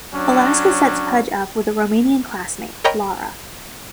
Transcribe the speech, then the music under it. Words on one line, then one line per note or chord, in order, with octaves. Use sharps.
Alaska sets Pudge up with a Romanian classmate, Lara.
F#3 C#4 D4
A#4 C#5 D#5 G5 A#5 B5